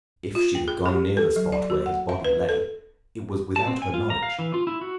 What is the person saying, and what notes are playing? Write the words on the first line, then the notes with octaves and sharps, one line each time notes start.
If she had gone near the spot where his body lay, it was without her knowledge.
F4
G5
G#4
G4
A4
F#3
D5
F#4
F#5
E5
B4
A4
A5
C4
G#5
F4
A#5
F5
E3
F4
E4
F#4